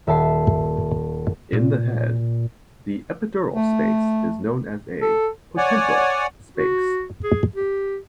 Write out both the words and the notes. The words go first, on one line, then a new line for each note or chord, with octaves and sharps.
In the head, the epidural space is known as a potential space.
D#1 E5 A5 C7
A#2
A3
A4
C#5 D5 F#5 G#5
F#4
G#4
G4